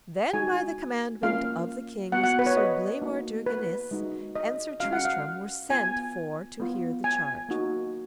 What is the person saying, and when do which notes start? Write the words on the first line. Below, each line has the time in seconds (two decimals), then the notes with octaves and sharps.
Then by the commandment of the kings Sir Blamore de Ganis and Sir Tristram were sent for to hear the charge.
0.34 G#3 D#4 F#4 G#5
1.23 A#3 C#4 F4 F5
2.12 B3 F#4 F#5
2.24 F#5
2.39 B4
2.46 C#5
2.57 D#5
3.02 A#3 D#4 F#4
3.46 B4
3.91 G#3 D#4 F#4
4.36 D#5
4.80 G#3 C#4 F#4 F5
4.93 F#5
5.05 F5
5.70 B3 F4 G#5
6.60 B3 F4
7.04 G#5
7.49 A#3 D#4 F#4